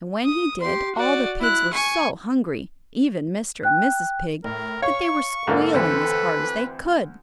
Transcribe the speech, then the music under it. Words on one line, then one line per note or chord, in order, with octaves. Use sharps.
And when he did, all the pigs were so hungry, even Mr. and Mrs. Pig, that they were squealing as hard as they could.
D#6
G4 C6
F#4 D5
E4 F#6
G#5 C#6
G5 F#6
A2 A#4
C#5 F5 C#6
G#2 D3 A#3 F4 A4 F5
D2 E3 C4 B4